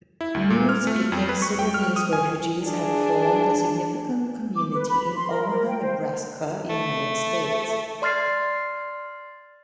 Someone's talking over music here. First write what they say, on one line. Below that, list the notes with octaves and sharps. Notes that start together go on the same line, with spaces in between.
Nuer-speaking Sudanese refugees have formed a significant community in Omaha, Nebraska, United States.
E4
D2
A#2
F6
A3
F2
B4
C#6
G5
F6
D#6
G#5
D4 G#4
D6
B4
B5
C6
A#4
A#4
G5
C5
A3
D5 C6 F6 A6 C7